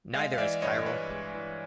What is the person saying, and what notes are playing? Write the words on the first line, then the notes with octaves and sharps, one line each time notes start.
Neither is chiral.
G#3 D#5 F5
F5
E3 D5 E5
G2 C#5 D#5
G2 B4 C#5
G#3
E3